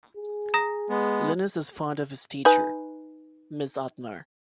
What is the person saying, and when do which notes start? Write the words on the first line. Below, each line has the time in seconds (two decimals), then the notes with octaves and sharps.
Linus is fond of his teacher, Miss Othmar.
0.17 G#4
0.54 A#5 D#6 A#6
0.90 G#3 B3
2.45 D#4 B4 G#5